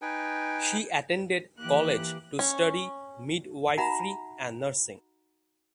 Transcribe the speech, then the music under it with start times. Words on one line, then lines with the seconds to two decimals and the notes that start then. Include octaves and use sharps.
She attended college to study midwifery and nursing.
0.02 D#4 B4 G5 G#5
1.57 E3 A#3 G4 F#6
2.39 C#4
3.77 D#4 F#4 E5 F#5 A#5 B5